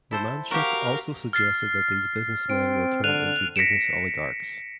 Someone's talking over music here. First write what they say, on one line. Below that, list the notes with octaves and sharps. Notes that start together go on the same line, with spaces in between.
Romanchuk also suggested that these businessmen will turn into business oligarchs.
E4 A4 C5
F#4 G4 A#4 F5
F6 A6 C7
C4 D7
D3 F#6 D#7 F7
A#6 B6 C#7 D7 E7